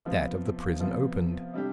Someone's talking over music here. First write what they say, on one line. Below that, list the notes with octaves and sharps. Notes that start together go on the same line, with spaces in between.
That of the prison opened.
C3 F3 B3 F4
C3 F3 B3 F4
C3 G3 D4 G4